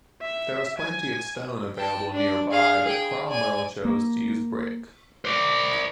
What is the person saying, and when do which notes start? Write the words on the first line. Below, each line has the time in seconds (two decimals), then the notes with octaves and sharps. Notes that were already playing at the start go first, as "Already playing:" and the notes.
There was plenty of stone available nearby, but Cromwell chose to use brick.
0.22 E5
0.78 G#5
1.77 G5 A5
2.12 D4 D5
2.51 G#4 F5
2.85 G#4 G5
3.28 D5 G#5
3.85 A#3
5.25 C5 D5